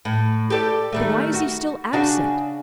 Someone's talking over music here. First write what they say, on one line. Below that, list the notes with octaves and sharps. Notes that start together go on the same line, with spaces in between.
But why is he still absent?
A2
G4 A4 D5
D#3 G3 A3
F#4
C#3 D4 F#4